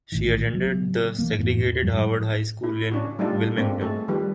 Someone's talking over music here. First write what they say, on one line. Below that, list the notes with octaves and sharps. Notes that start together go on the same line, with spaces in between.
She attended the segregated Howard High School in Wilmington.
A#1 A2 D#3 E3
C#3 F#3 A#3 B3
E3 F#3 A#3
F2 A2 E3
E2
G2 F3 G#3
E4
C#4 D4 F#4
G3 A3 D4 D#4 F4 A4
G#3 A#3 C4 D4
G#3 A3 F#4 A4
D#3 F3 G3 G4 B4